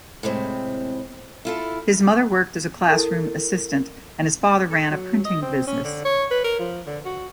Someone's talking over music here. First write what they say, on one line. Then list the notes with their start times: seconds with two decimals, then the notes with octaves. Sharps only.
His mother worked as a classroom assistant, and his father ran a printing business.
0.23 A2 C3 G#3 C4
1.45 E4 F4 A4
2.90 E4 A4 A#4
4.70 A4
4.91 F#3
5.25 D#5
5.42 C4
5.68 C#4
5.84 D3
6.05 C#5
6.31 B4
6.44 A#4
6.59 F3
6.87 D3
7.05 F#4